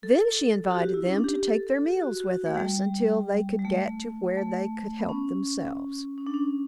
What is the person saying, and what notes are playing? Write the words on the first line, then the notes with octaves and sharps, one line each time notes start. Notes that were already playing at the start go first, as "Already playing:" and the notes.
Then she invited them to take their meals with us until they could get to where they could help themselves.
A4
F#4
G4
E4
C#4
D4
G4
G4
A4
A4
G4
F#4
F#4
A3
G3
G3
A3
A3
B3
C#4
C#4
D4
C#4